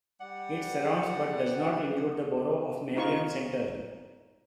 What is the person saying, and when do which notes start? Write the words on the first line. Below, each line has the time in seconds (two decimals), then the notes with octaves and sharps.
It surrounds but does not include the borough of Marion Center.
0.20 G3 D5 F#5
2.96 D#4 F4 C#6